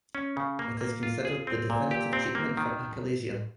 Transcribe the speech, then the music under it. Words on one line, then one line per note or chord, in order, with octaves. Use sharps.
It is considered the definitive treatment for achalasia.
C#4
C#3
A#3
A#3
F4
G#4
C4
A#2
G4
C4
A#3
D#3